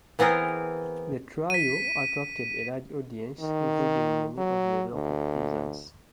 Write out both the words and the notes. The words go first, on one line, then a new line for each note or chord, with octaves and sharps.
The trial attracted a large audience, including many of the local peasants.
E3 B3 C4 G#4 A#4
B6 D#7
D#3
F#3
D2